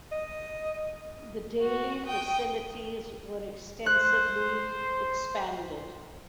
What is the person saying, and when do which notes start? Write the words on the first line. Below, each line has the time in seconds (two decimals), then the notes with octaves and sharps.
The daily facilities were extensively expanded.
0.12 D#5
1.61 F#4
2.06 G5 D#6
3.86 C5 F#6